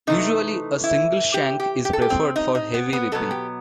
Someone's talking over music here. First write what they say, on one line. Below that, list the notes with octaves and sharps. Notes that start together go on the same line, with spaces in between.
Usually, a single shank is preferred for heavy ripping.
C3 E3 A3 D#4
E4
G4
G4
G4
A4
G4
C4
D#4
D#4
B3
B3
B2 F#3 B3 A4
G4